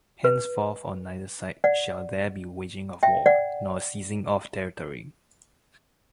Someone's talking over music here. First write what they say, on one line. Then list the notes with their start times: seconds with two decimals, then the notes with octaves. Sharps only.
Henceforth on neither side shall there be waging of war nor seizing of territory.
0.24 B4
1.64 D5 F#5
3.03 E5 G5
3.26 D5 F#5